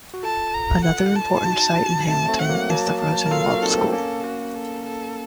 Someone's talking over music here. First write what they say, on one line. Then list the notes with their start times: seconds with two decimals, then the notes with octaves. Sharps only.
Another important site in Hamilton is the Rosenwald School.
0.14 F#4
0.23 F4 A4 A5
0.54 A#5
0.84 F#5
1.15 A5
1.37 F4
1.46 D#4 F#4
2.08 A3 C4 A5
2.29 A3 C4
2.39 F#5
2.49 F#3 A#3
2.70 F#3 A#3 A5
3.00 A5
3.26 A#4
3.31 F4 A4 F5
3.47 F#4 A#4
3.62 C4 D#4 A4
3.73 A#3
3.77 A3 C4
3.93 A#3 C#4 A4
4.23 F#4
4.55 A4
4.85 A4